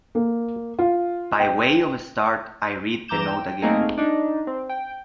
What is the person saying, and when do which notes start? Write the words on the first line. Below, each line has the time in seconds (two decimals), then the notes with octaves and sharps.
By way of a start, I read the note again.
0.15 A#3
0.79 F4
1.40 G5
3.08 E2 E3 A#5 D6 G6 E7
3.28 G5
3.62 A3 A#3 C4 D#4 G#4 A#4
3.98 D4 D#4
4.47 C4
4.69 G5